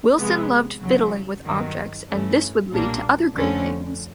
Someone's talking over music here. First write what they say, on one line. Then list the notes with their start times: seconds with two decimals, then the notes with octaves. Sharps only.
Wilson loved fiddling with objects and this would lead to other great things.
0.17 C3 F3 G#3 B3
0.81 E2 C#3 F#3
1.45 G2 D#3 F#3
2.08 G2 E3 A3 C#4
2.72 B1 A#2 G3 A#3 D4
3.35 F2 D3 F3 A3 C#4